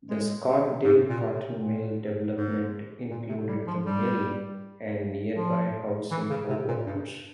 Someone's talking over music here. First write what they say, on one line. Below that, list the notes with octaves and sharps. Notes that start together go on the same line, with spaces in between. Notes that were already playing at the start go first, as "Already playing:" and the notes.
The Scottdale Cotton Mill development included the mill and nearby housing for workers.
G#3
C3
G#2
A#2
C3
A#2
G#2
A#2
C3
G3
F3
G3
F3
E3
C#3
C3
A#2
G2